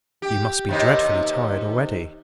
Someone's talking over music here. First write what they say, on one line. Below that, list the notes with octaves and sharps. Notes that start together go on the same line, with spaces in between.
'You must be dreadfully tired already.'
G4
D#2 C3 D#4